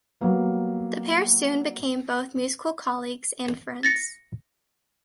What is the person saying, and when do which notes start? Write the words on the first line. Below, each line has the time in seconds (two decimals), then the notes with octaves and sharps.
The pair soon became both musical colleagues and friends.
0.21 F#3 G3 A#3 B3
3.83 A6 A#6 C#7